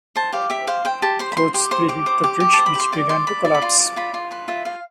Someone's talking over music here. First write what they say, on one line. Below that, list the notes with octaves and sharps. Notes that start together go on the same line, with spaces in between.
Coach three hit the bridge, which began to collapse.
C5 A5
G4 F5
G4 E5
C5 F5
C5 G5
G4 A5
C5 C6
B5
C5 C6
G4 C6
C5 C6
G4 D6
C5 D6
G4 D6
G4
C5 A5
B5
G4 C6
D5 D6
D5 C6
D5 B5
D5
B5
F4 C6
D5
F4 B5
F4 C6
B4 C6
F4 E5
F4 F5